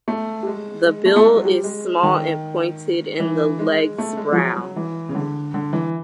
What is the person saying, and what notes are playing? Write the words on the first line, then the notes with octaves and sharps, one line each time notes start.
The bill is small and pointed and the legs brown.
A3
G3
G#3
G#3
A3
A3
G#3
F#3
G3
G#3
D#3
E3
G#3
A3
G#3
F3
F#3
F#3
E3
C#3
D3
D3
E3